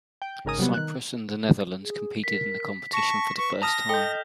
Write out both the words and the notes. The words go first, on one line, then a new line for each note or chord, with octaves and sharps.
Cyprus and the Netherlands competed in the competition for the first time.
G5
G#1 C#3 D#4 A#4 G#5 D#6
C3 F#3 G3 B3
D#3 F#6
G#4
A#4 B6
A5 C#6 A#6 E7
B4 C#6
G5 A5 D#6 F6 A#6 E7 F7
A4 D#5 G5 G6 G7